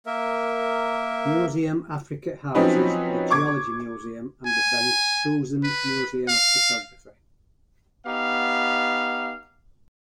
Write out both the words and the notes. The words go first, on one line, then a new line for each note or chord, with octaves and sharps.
Museum Africa houses The Geology Museum and the Bensusan Museum of Photography.
A#3 A#4 E5
F3 F#3 C4 C#4 D#4 B4
C#6 D6 G#6
G#5
B4
F5
B3 D#4 G4 F5